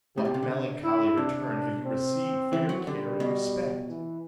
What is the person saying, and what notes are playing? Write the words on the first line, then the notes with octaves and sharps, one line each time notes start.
What melancholy return have you received for your care and respect?
A2 G4
B2
C3
D3
E4
C3 D4
C4
E3
F#3
D3 G3
B2
E3